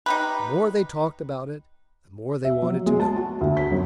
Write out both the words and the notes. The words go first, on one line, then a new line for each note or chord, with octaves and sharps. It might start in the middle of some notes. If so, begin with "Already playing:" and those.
The more they talked about it, the more they wanted to know.
D#4 G4 B4
E5
F#3
G#3
A5
F#4
D2
B6
F#2